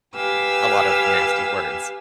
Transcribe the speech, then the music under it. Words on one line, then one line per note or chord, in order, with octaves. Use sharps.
a lot of nasty words.
G4 B4 F5 G#5 E6